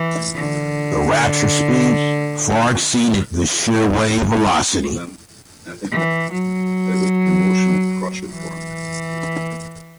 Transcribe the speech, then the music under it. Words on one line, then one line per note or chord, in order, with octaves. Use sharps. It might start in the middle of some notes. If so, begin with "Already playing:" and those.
The rupture speed far exceeded the shear wave velocity.
Already playing: E3
D3
E3
F#3
E3